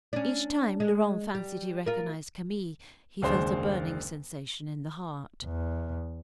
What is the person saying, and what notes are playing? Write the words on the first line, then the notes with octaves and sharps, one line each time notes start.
Each time Laurent fancied he recognised Camille, he felt a burning sensation in the heart.
C#4 D4
G#3
G3
F4 A#4
F#1 D#2 G#3 D4 C5 C6
E2